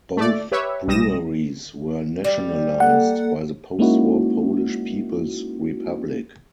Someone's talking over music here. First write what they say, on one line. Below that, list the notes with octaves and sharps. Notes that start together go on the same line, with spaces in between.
Both breweries were nationalized by the post-war Polish People's Republic.
A3 D5
G4 B4 C#5 E5
B1 G3 D#6 A#6 E7
G3
A#3 A4 F#5
G#3 A#3 C#4 D#4 E4 F#4